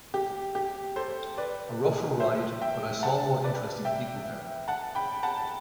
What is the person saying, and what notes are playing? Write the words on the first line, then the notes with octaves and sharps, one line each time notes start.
A rougher ride but I saw more interesting people there.
G4
G4
A4 C5
B4 D5
C5 E5
E5 G5
F#5 A5
B4 D5
E5 G5
F#5 A5
G5 B5
F#5 A5